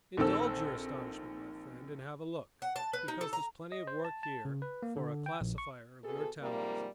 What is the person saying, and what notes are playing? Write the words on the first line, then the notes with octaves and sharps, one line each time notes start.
"Indulge your astonishment, my friend, and have a look, because there's plenty of work here for a classifier of your talents."
A#1 D#3 C4 A4 E6
F#5
A5
B4
D#4
A4
A#5
D#5
C5
A5
A5
C#3
B4
A#3
D3
G5
A#1
C#6
B2 G#4 A4
G#2 C3 F3 G3 A#3